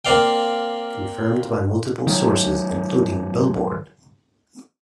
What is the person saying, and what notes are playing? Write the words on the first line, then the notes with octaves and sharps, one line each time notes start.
Confirmed by multiple sources including "Billboard".
A#3 C4 C5 D5 F5 G5
D#3 F#3